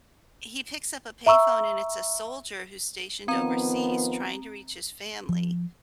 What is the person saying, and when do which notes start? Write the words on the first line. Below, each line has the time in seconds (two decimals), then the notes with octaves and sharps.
he picks up a payphone, and it's a soldier who's stationed overseas trying to reach his family,
1.26 E5 A#5 C#6 E6
3.28 D#3 F3 B3 C4 A#5
5.29 F3